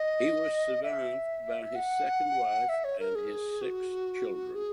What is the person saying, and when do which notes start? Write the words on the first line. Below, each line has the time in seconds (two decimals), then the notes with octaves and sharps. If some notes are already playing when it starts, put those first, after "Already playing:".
He was survived by his second wife and his six children.
Already playing: D#5
0.83 E5
1.75 F#5
2.69 E5
2.84 C#5
3.00 A#4
3.15 G#4
3.62 F#4
4.55 G#4